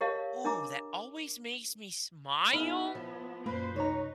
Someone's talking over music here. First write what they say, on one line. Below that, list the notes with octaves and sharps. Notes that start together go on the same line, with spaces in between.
Ooh, that always makes me smile?
G4 A#4 C#5 D#5 F5 A5
D4 A#4 D#5 A#5 D6
B3 D#4 E4 G#4 F5 D#6
F3
F#2 A#2 A#3 B4 C5 B5
C2 D#4 C#5 A#5